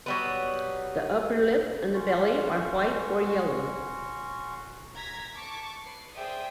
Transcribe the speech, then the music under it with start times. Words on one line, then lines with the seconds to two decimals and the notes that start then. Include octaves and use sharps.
The upper lip and the belly are white or yellow.
0.06 F#3 G3 B3
1.95 C#4 F#4 C6 C#6
4.94 A#5 G#6 A#6 B6
5.36 A5 C#6 D6
5.82 B4 C7
6.16 G#4 C5 D5 E5 G5 D#6